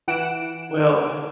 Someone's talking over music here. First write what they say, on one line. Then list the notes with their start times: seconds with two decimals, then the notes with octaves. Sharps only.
Well, uh,
0.08 E3 F#5 D7 E7